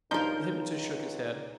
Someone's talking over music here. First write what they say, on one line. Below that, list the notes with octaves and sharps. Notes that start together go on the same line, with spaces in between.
The hypnotist shook his head.
C#2 G2 F3 D#4 A#4 A#5 G6